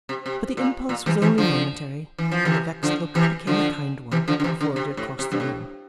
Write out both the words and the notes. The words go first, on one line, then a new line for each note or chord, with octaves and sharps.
But the impulse was only momentary, and the vexed look became a kind one before it had crossed the room.
C3
C3
A#2
A#2
C3 E3
C3 E3
D3 F3
E3
F3
C3 E3
D3 F3
C3 E3
D3 F3
C3 E3
D3 F3
D3
C3 E3
D3
C3
A2
C3
G2
A2